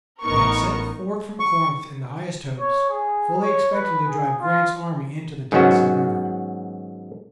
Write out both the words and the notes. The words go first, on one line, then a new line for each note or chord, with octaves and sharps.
They had set forth from Corinth in the highest hopes, fully expecting to drive Grant's army into the Tennessee River.
A1 B3 D#4 A#4 C#6
C#6
C#5
G#4
C#5
B4
G#4
F4
G#2 D#3 F#3 B3 C#4 F#4